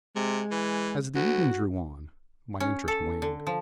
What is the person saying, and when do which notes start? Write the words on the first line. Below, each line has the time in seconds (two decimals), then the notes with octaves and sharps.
'As the evening drew on, my interest waned.
0.16 C3 G#3
0.51 E3
1.15 D2 F#4
2.60 C#4
2.88 A4
3.22 D3
3.47 F3